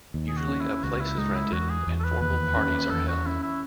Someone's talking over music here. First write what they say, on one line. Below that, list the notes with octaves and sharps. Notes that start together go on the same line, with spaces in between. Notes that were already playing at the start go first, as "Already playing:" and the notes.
Usually a place is rented, and formal parties are held.
D#2
G#4
F#4
C#4
E4
C#2 F#4
E4
G#3 D#4
E4
E2 F#4
G#4
E2
A4
B4
D#2 B4
C#4
E2 A4
F#4
C#4 E4
E4